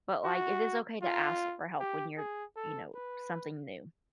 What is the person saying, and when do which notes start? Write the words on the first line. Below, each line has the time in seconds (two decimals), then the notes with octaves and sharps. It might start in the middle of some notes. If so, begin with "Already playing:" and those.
but, like, it is okay to ask for help when you're, you know, something new.
0.24 F#4
1.02 F4
1.80 G4
2.17 G#4
2.57 A4
2.95 B4